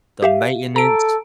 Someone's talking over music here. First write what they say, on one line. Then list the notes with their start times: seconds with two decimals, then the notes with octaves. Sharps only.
the maintenance.
0.22 G4 E5 F5
0.76 A4 A#5 D7